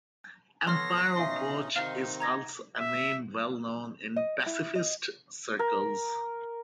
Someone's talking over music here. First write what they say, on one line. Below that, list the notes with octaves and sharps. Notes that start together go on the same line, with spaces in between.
Amparo Poch is also a name well known in pacifist circles.
B3 A4 C#5 C6 F6 A#6 C7
B2 C#4 D#4 E5 F5 C6
C3 D#3 C4 D#4 F5 F6
A#5 G#6 A#6
E5
D#5
E4
D#5
A#4